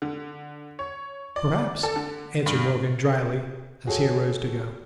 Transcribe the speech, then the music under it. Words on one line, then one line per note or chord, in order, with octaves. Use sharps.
"Perhaps!" answered Morgan, dryly, as he arose to go.
D3
C#5
D5
A4
D3
G2
F#4 G#4 A4 C#5